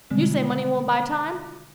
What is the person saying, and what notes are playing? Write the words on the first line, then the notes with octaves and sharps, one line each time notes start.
You say money won't buy time?
B2 D3 D#3 G3 G#3 C4